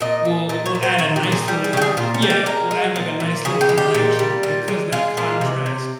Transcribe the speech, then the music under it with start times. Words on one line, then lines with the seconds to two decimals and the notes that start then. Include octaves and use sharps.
will will add a nice little inter Yeah. Will add, like, a nice little interaction because that contrast
0.01 A#2 D#5
0.25 A#2
0.49 A#2 D#5
0.66 C#5
0.75 A#2
0.83 C5
0.98 A#2 C#5
1.16 G4
1.23 A#2
1.32 G#4
1.48 G3 G#4
1.64 G#4
1.73 C#3 G4
1.82 G#4
1.97 A#2 F4
2.14 C#4
2.22 G3
2.30 G4
2.46 G#3 A#4
2.71 G#3
2.96 A#2
3.20 A#2
3.45 C#3 G#4
3.61 G4
3.69 G#3
3.78 G4
3.94 A#2
4.19 G3
4.43 A#2
4.68 G#3
4.92 G#3 F4
5.17 A#2 F4
5.41 C3
5.66 C3